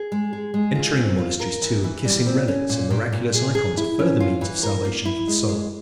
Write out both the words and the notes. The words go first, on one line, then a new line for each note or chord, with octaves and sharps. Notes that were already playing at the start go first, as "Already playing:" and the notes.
Entering monasteries too and kissing relics and miraculous ikons, are further means of salvation for the soul.
Already playing: G#4
G#3
G#4
G#3
F4
C4
F4
A#4
E3
E3
G3
C4
C#4
A#2
A#2
A#2
G#4
G#4
E4
C#4
F4
E3
A#4
A#3
E4
G#3
G#3